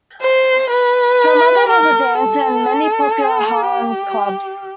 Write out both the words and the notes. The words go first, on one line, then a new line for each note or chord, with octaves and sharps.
Her mother was a dancer in many popular Harlem clubs.
C5
B4
A#4
A4
G4